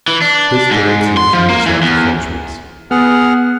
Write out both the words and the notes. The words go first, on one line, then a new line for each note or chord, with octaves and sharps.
His pronunciation was like a Frenchman's.
E3
D4
G#2
C6
F3
A#3
E3
E2
B3 G#4 F#5 F6